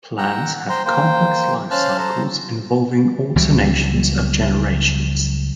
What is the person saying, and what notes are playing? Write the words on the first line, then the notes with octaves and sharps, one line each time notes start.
Plants have complex lifecycles involving alternation of generations.
F#5 G5 A#5 E6 F#6
C5 G5 A#5 C6
A#3 C5 G5
C#4 C5 F5 A5 F6 F#6
A4 C5 A#5
C#2 E3 F#3 G3